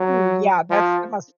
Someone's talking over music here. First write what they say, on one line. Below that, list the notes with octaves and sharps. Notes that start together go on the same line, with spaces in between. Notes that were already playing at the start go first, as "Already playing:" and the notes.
"Ooh, yeah, that's the muscle."
Already playing: F#3
F3